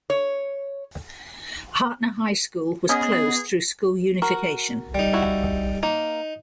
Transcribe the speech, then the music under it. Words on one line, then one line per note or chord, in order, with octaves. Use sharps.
Hardtner High School was closed through school unification.
C#5
B3 C#4 G#4 D#5
F#4 A#4
G3 D#4
E4 F#4
A#3 D#4